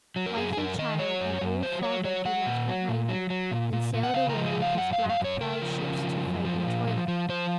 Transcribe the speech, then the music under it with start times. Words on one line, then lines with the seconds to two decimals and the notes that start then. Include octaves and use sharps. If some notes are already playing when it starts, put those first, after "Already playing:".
Wife and child and old father he left behind him and sailed away with his black-prowed ships to fight in Troyland.
0.16 F#3
0.26 A#4
0.36 F#2 G#4
0.53 G#4
0.57 F#2 A#4
0.78 D#3 D#5
0.99 F#3 C#5
1.21 F#2
1.41 F#2
1.63 F#3 C5
1.83 F#3 C#5
2.04 F#3 C#5
2.25 F#3 F#5
2.46 A#2
2.68 F#3
2.89 A#2
3.09 F#3
3.30 F#3
3.51 A#2
3.73 A#2
3.93 A#2
4.03 F#5
4.14 C#3 F5
4.30 A#4
4.36 F3
4.46 G#4
4.57 C#3
4.62 F5
4.77 F#2 F#5
4.93 F5
4.99 F#2
5.10 F5
5.20 F#2 C#5
5.41 C#3 A#4
5.62 F3
5.82 C#3
6.03 F3
6.24 F#2
6.45 F3
6.67 A#2
6.87 F3
7.08 F3
7.29 F3 C5